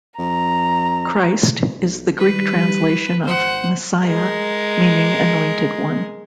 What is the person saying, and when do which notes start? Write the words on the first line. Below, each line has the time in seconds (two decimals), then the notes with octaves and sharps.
"Christ" is the Greek translation of "Messiah", meaning "Anointed one".
0.19 F2 A#5
1.78 B1
2.18 D#3 G3 B4
3.24 G#1 C5 F#5
4.05 G#3 A#4